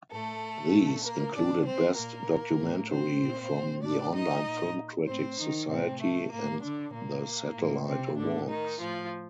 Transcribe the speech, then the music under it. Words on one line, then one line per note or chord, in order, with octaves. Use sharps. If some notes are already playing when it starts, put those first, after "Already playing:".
These included Best Documentary from the Online Film Critics Society and the Satellite Awards.
A2 A3 A4
A#2
A#3 A#4
A#2 D4 D5
C4 C5
A#2 A#3 A#4
A2
C4 C5
A#2
A2 D4 D5
D#4 D#5
A#2
A2 C4 C5
D#3 D#4
A2 C3 C4
A3
A2 A#3
D3 D4
A#2 A#3
A2
C3 C4
A2 D3 D4
D#3 D#4
A2 F3 F4